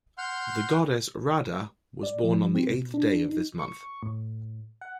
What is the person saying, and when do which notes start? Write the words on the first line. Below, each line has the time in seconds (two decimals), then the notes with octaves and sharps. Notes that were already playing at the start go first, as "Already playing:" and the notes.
The Goddess Radha was born on the eighth day of this month.
0.18 F#5 C6 F6 G6
2.03 D5
2.24 F3
2.55 C4
2.70 B2
2.94 D4
3.29 D#4
3.59 C#6
4.03 A2
4.81 F#5